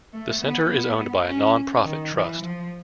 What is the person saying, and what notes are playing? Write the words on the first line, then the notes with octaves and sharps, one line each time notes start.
The centre is owned by a non-profit trust.
A3
B3
B3
C#4
D#3
E3
F3